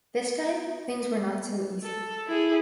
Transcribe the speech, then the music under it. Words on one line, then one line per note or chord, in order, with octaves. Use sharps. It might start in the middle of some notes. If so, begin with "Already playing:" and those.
This time things were not so easy.
A4
E4 G#4